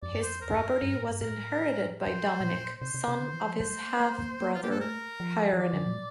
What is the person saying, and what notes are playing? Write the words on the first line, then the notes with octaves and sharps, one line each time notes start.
His property was inherited by Dominik, son of his half-brother Hieronim.
F2 D5
G2
F2 C5
E2 A#4
G2
F2
G2
A2
G2
A2 A#4
C5
A#2
C3 C5
C3
C3
D3
E3
F3
G3 C5
A3
A#3
A#3
A#3
F4
A#3 G4
A4
A3 A#4
F3
F3
E3 D5
D3
A#2